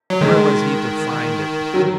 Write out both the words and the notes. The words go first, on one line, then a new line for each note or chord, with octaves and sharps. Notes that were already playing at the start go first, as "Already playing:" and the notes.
Where was he to find it?
F#3
D#3 G#3
F#3